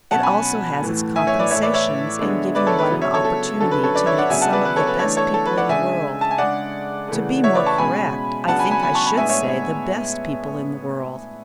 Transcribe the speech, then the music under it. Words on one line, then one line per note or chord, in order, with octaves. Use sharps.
It also has its compensations in giving one an opportunity to meet some of the best people in the world--to be more correct, I think I should say the best people in the world.
B2 F#3 C#4 F#5 A5
G#5 B5
A2 E3 A3
E5 G#5
C#5 E5
B4 D5
A2 E3 A3 C#5 E5
B4 D5
C#5 E5
D3 G#3 B3 D4
B4 D5
A4 C#5
B4
C#3 F#3 B3 D4
C#5 E5
A4 C#5
A4
D3 F#3 C#4 A4
B4
A4 C#5
B4 D5
C#5 E5
D5 F#5
C#3 F#3 B3 D4 E5 G#5
F#5 A5
B4 D5
B4
A4 C#5
B4
E3 A3 D4 A4 C#5
A4 C#5
A4
B4
D5 F#5
C#3 G#3 D4 E5 G#5
A5
G#5
C#3 G#3 D4 D5 F#5
C#3 E3 A3
C#5 E5
B4 D5
A5 C#6
B2 G#3 C#4 G#5 B5
C#3 F#3 B3 D4 F#5 A5
G#5 B5
G#5 B5
G#5 B5
A5 C#6
G#5 B5
A2 G#3 B3 D4 E5 G#5
C#5 E5